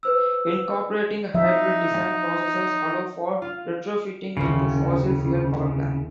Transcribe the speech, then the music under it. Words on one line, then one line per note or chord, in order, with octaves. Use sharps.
Incorporating hybrid design processes allows for retrofitting into fossil fuel power plants.
B4 C5 E6
F3 D#4 E5
F4 F5
D#1 C2 C#3